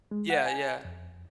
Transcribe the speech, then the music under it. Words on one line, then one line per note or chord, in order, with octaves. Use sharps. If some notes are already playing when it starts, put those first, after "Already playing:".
Yeah, yeah.
G#3
F#5
G#5
F2